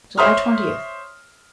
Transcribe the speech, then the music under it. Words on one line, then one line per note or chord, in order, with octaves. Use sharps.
July Twentieth.
C5 C#5 E5 C6 D#6 F6